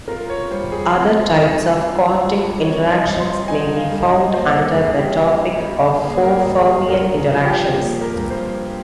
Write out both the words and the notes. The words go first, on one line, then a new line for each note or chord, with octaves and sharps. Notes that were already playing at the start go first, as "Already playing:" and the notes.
Other types of quartic interactions may be found under the topic of four-fermion interactions.
F4 A#4
C#5
G3 C5
G#4
C4
G2
F4
G3
C4 C#5
D#5
G2
C6
D#4 G#5
F5
G3
D#5
A#3 C5
A#4
G2 G#4
G4
D#4
G3
A#3 G#4
A#4
G#4
G2
G#4
G2 A#4
G#4
F3
G4
A#3 G#4
A#4
G2
C5